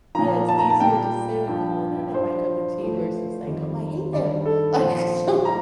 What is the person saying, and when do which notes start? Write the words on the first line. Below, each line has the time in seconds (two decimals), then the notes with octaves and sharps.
yeah, it's easier to say, like, "Oh, they're not my cup of tea." versus, like, "Oh, I hate them!" Like, so
0.15 A#2 F3 A#5
0.48 A5
0.59 A#5
0.70 A5
0.80 A#2 G3 G5
1.48 G2 F3
2.14 G2 F3 C5
2.80 A2 F3
3.46 F2 D#3 G3
4.13 G2 D#3 G3 D5
4.46 A4
4.79 A#2 F3 C5
5.45 G3 A#5